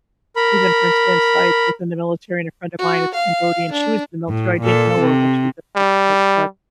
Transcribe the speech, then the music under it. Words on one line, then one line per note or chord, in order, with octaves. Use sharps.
even for instance, I was in the military and a friend of mine is Cambodian, she was in the military, I didn't know her when she was in the military, but
A#4 B5
F#4
F5
D4
A2
A#2 A4
C3
G3